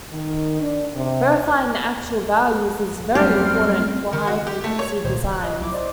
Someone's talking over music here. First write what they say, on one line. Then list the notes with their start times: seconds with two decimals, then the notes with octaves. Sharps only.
Verifying the actual values is very important for high frequency designs.
0.12 D#3
0.61 D4
0.95 C3
3.15 F#2 G3 A3 C4 G4 F6
4.13 D#3
4.27 F#4
4.47 G4
4.64 A3
4.79 C#5
5.03 C2 A#2 D#3 C5 G#6
5.20 C#3
5.32 F#6
5.43 D#5
5.60 C2 F#3 E4 D6
5.72 C5 D5 D#5